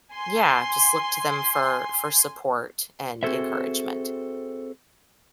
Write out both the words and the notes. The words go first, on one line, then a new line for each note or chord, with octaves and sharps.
yeah, just look to them for for support and encouragement.
G#5 C6
C4 F#4 G#4 A4 C5 E5